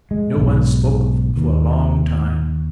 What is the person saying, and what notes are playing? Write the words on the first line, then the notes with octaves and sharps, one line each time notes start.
No one spoke for a long time.
G#3
B1 G#2
D#2